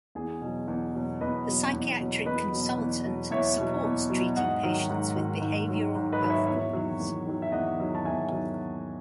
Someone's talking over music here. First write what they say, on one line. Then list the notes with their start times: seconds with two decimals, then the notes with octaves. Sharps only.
The psychiatric consultant supports treating patients with behavioral health problems.
0.15 E2 G#4
0.41 B2 F#3
0.68 E2
0.94 B2 F#3
1.21 E2 B4 D#5
1.47 B2 F#3
1.73 E2
2.00 B2 F#3
2.25 E2 B4 D#5
2.53 B2 F#3
2.78 E2
3.05 B2 F#3
3.31 E2 C#5 E5
3.57 B2 F#3
3.83 E2
4.10 B2 F#3
4.36 G#2 D#5 F#5
4.63 D#3 F#3
4.90 G#2
5.16 D#3 F#3
5.42 G#2
5.68 D#3 F#3
5.95 G#2
6.12 B4 D#5
6.20 D#3 F#3
6.30 C#5 E5
6.47 E2 C#5 E5
6.73 D#3 F#3
7.00 E2
7.27 D#3 F#3
7.42 E5
7.52 E2 D#5 F#5
7.79 D#3 F#3
7.95 A5
8.05 E2 E5 G#5
8.32 D#3 F#3